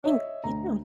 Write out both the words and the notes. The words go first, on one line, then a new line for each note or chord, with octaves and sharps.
Thanks, you too.
C#5 D#5 E5
D2 A#5